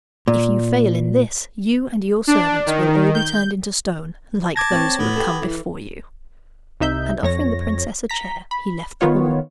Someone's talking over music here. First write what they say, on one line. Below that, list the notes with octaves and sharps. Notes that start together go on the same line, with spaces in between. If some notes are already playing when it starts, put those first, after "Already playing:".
If you fail in this, you and your servants will all be turned into stone, like those who have come before you.' And offering the princess a chair, he left the hall.
A#2
D4
D#3
G6
A5 D6 G#6 A#6
C4 C#5
A2 B3
G4 A4
E3
C2 D#4 E5 G6
F2 C#5 A#6
A#5 B6
B5
D#3 B3 F4 C#5